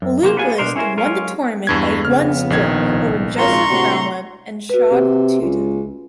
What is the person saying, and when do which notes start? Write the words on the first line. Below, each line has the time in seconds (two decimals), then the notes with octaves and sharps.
Luke List won the tournament by one stroke over Joseph Bramlett and Shad Tuten.
0.02 F#2
0.22 C2 F#3 A#3 C5
0.36 A#3 B3 D4 F4 G#5
0.58 B2 D4 D#4 A#4 C5 C6
0.76 C#4 E4 G#4 A#4 C5
0.97 F#3 G#3 C#4 F4 A#4
1.67 E2 G2 G#6
2.05 F2 C#3 B3 F6
2.50 A#1 B2 D#3 F3 G#6
2.90 C2
3.38 G#1 F4 A#4 A#5 C6 C#6
3.70 A2 C3 D4 F#4 D5
4.70 F#4 B4
4.91 C3
5.41 C#2